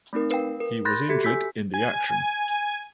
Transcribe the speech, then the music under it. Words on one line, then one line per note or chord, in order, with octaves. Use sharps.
He was injured in the action.
A3 C4 D#4 A#4
B4 F5 G5
A#4
B5 C6 F#6 G6 A6 A#6
F#4 G4 A4 E5
G#5 E6 G6 B6
G#5